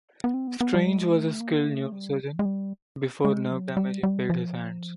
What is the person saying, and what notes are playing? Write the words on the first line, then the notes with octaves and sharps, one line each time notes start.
Strange was a skilled neurosurgeon before nerve damage impaired his hands.
B3
C4
B3
B3
G3
G#3
A3
A#3
A3
G3
G#3
G3
G#3
F#3
G3
G3
F3